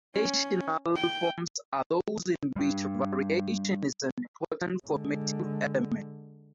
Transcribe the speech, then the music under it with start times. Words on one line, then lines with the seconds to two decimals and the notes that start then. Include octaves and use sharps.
Variational forms are those in which variation is an important formative element.
0.14 C#4
0.96 G5
2.56 G3 A#3 D4
4.86 D3 G#3